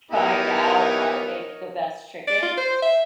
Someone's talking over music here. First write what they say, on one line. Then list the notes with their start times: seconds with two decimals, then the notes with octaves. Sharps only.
find out how to make the best chicken,
0.11 B3 D#4 E4 G4 A#4 C#5
2.28 D5
2.42 F4
2.57 C5
2.82 E5